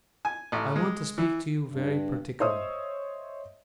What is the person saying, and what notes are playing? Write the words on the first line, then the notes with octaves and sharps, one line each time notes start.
'I want to speak to you very particularly.
G#5
A1
G#3
E3
G2
C5 C#5 D#5 E5 D#6 E6